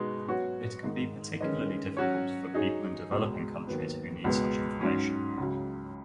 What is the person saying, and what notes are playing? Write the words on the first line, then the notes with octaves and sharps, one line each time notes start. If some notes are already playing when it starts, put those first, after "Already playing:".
It can be particularly difficult for people in developing countries who need such information.
Already playing: B2 G#3 B3 D#4
F#3 B3 F#4 C#5
G#2 D#3 G#3 D#4
D#3 G#3 C#4 B4 D#5
F#3 C#4 F#4 C#5
F#3 D#4 G#4 C#5
C#2 B2 G#3
D#2 D#3 F#3 B3
C#2 B2 G#3 B3
G#2 F#3 C#4
C#2 C#3 F#3